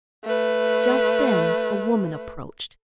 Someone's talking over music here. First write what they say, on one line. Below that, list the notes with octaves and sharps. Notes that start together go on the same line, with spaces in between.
Just then a woman approached.
A3 B4